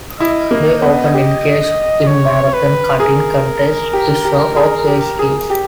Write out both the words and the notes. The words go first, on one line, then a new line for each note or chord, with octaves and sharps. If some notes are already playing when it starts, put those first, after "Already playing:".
They often engaged in marathon cutting contests to show off their skills.
E4 D#5
A#3
B3
G4
C#5
B4
G#4 A#4
G4
G4
G#4
G4
G#4
G4